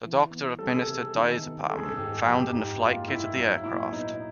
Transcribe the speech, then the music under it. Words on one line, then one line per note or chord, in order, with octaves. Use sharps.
A doctor administered diazepam found in the flight kit of the aircraft.
E3
B3
G3 A4
G#4
A4
C3
D#3
B3
G3 A4
G#4
A4
G#2 G4
F3 G4
G#2
A#3 F4
G#2 E4
F#3 E4
A#2 E4
B3 D#4